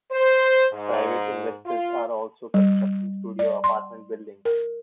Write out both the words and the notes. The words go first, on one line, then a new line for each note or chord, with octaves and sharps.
Private investors are also constructing studio apartment buildings.
C5
G#2
F4
G3
D5
C6
A#4